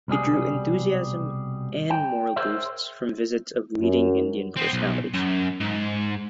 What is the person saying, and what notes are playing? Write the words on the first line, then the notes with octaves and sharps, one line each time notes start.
It drew enthusiasm and morale boosts from visits of leading Indian personalities.
C2 B2 G3 G#4
G5
G#4 A#4 C5 C#5 E5
F#2
B3 C4
B1
F#2
G#2